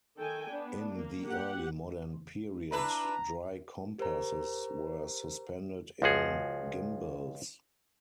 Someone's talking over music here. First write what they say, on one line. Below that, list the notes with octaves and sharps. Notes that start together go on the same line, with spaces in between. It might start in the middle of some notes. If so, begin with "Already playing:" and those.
In the early modern period, dry compasses were suspended in gimbals.
D#3 A4 G5 G#5
B3 D4
A#3
G4 F#5
D4 E4 B4 A#5
G4 A#4 C5 A#5
C#2 F3 F#4 G#4